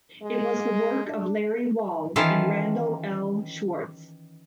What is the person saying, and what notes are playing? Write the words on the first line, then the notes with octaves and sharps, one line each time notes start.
It was the work of Larry Wall and Randal L. Schwartz.
G#3
D4
D#3 E3 C#4 F4 A4 F5